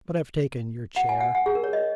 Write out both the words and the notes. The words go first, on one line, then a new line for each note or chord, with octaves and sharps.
But I've taken your chair.'
F#5
G#5
F#5
F#5
G#4
A#4
C#5
D#5